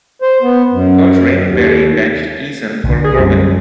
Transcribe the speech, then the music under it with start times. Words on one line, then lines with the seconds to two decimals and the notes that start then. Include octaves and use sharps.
Coach Raymond Berry benched Eason for Grogan.
0.22 C5
0.42 B3
0.72 F#2
1.45 D#2
2.84 B1 D3
3.04 G#4
3.19 F#2 G3